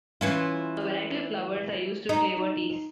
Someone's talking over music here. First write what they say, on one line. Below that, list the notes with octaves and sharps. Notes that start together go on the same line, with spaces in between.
A variety of flowers are used to flavour teas.
E3 C#4 F4
D#4